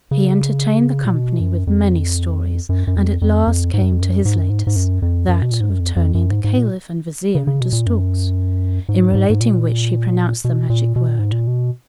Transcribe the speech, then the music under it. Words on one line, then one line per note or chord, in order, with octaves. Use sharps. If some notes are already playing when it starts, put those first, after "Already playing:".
He entertained the company with many stories, and at last came to his latest--that of turning the Caliph and Vizier into storks--in relating which he pronounced the magic word.
C#3
A#2
B2
F#2
F2
F#2
F#2
F2
F2
F2
G#2
F#2
F2
F#2
G#2
F#2
G#2
G#2
F#2
F2
F#2
B2
A#2
G#2
F#2
F2
F2
F#2
G#2
G#2
A#2
C#3
C#3
B2
A#2
F#2
G#2
F#2
G#2
G#2
A#2
B2
A#2
B2
A#2
G#2
A#2
B2